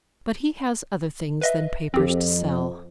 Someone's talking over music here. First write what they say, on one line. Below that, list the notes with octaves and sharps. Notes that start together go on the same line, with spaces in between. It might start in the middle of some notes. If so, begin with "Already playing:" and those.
But he has other things than papers to sell.
B4 D#5 E5
F2 C4 G4